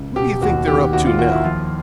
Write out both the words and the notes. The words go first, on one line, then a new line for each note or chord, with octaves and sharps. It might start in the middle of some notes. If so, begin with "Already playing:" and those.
'What do you think they're up to now?'
Already playing: C#2
B2 G4
D#2 F#4
D#3 G4
D#2 F#4
F4
D#2 F#4
E4
F3 F4